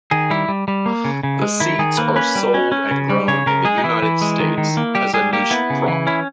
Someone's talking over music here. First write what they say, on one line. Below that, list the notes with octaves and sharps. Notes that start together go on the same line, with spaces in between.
The seeds are sold and grown in the United States as a niche crop.
D#3 G#4
G3 E4
G3
G3
A#3
C#3
C#3
G#3
D#3 E4
D#3 G#4
A#3 B4
C#4 B4
G3
C#4
C#4
C#3
G3
C#3 C#5
C#3 A#4
G#3 G#4
D#4
E3 E4
E3
G#3
D#3
D#3
A#3
G3 G4
G3 G#4
A#3 G4
B3 E4
C#3
E3
C#4 E4